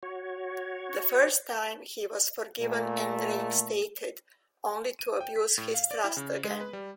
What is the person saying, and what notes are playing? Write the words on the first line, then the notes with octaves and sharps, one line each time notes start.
The first time he was forgiven and reinstated, only to abuse his trust again.
F#4 C#5
A#2 A3
D#7
G5
B6
A2
F5
D5
E4
C#3
G#3
B4
G3